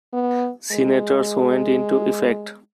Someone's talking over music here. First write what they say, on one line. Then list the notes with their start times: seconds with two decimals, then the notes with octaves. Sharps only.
Senators went into effect.
0.13 B3
0.72 G#3